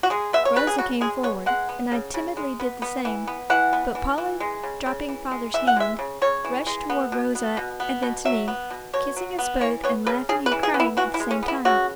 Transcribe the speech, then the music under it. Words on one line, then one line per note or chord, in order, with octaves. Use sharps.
Rosa came forward, and I timidly did the same; but Paula dropping father's hand, rushed toward Rosa and then to me, kissing us both and laughing and crying at the same time.
F#4
G#3 G#4
B3 E5
C#5
C#3 B4
G#4
C#3 F#4
G#3 G#4
B3 C#5
G#3 F#5
B3
C#3
C#3
G#3
B3
B3
E3
B3
E3 F#5
B3
E3
E3
G#3
C#3
C#3
E3
G#3
E3 E5
F#5
G#3 E5
C#3
C#3 C#5
E3
G#3
B3
B2
B3
B2
B3
B2
F#3 E5
B3
B2
B2 C#5
F#3
B3
E3 C#5
B3 C#5
C#3 B4
C#3 G#4
B4
E3
G#4
B3
E4
E3 F#4
E4
G#3
C#4
B3
E4
C#3 F#4